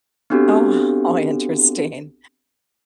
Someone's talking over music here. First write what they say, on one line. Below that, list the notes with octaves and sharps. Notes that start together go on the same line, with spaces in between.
Oh, how interesting
B3 C4 D4 F#4 G4 A4